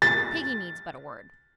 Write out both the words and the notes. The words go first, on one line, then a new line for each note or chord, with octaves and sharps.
Piggy needs but a word.
A6